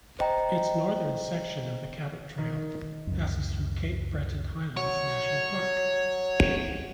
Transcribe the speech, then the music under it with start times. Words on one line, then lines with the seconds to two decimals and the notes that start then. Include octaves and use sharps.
Its northern section of the Cabot Trail passes through Cape Breton Highlands National Park.
0.19 C5 D#5 G5 A#5
2.38 D#3
3.07 C#2 F#2
4.77 F#3 C#5